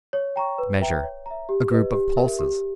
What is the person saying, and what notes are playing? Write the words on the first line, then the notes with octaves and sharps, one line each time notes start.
Measure: A group of pulses.
C#5
G5 A#5 C#6
B4
E5 G5 A#5
C#5
E5 A#5
G4
B4 D#5
G4
A#4 E5
G4